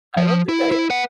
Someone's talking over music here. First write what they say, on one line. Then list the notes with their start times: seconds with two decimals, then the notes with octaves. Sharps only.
I don't think I
0.17 F3
0.49 E4
0.72 E4
0.90 B4 F#5